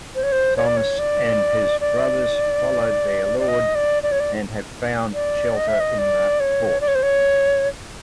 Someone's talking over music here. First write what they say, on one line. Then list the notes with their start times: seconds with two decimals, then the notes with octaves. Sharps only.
Thomas and his brothers followed their lord and have found shelter in the fort.
0.15 C5
0.23 C#5
0.32 C5
0.57 C#5
0.66 D5
0.77 C#5
0.99 D5
1.81 D5
3.39 D5
3.48 D#5
3.75 D5
4.03 D5
4.12 C#5
4.20 D5
5.14 D5
5.57 D#5
5.68 E5
5.80 D#5
5.98 D5
6.40 C#5
6.81 D5
6.88 C#5
6.95 C5
7.03 C#5